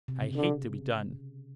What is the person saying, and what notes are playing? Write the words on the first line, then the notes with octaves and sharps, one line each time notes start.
I hate to be done.
C3
C#3
D3